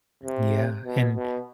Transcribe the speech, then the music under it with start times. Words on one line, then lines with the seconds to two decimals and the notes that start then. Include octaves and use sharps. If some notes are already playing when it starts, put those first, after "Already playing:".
Yeah, and
0.23 C3
0.85 B2
1.16 B2